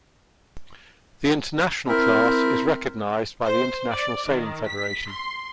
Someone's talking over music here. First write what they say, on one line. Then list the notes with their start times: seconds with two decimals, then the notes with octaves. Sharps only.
The International Class is recognised by the International Sailing Federation.
1.89 C4 E4 A#4
3.44 C5
3.91 D5
4.27 D#3
4.67 B6
5.09 C6